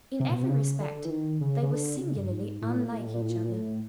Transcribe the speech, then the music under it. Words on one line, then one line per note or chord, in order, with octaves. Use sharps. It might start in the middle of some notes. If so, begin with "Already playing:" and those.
In every respect they were singularly unlike each other.
C3
A#2
B2
C3
C#3
D3
E3
D#3
C#3
C#3
D3
C3
C#3
G2
G#2
A2
A#2
A2
A#2
A2
A#2
A2
A#2
A2
A#2
A2
A#2
A2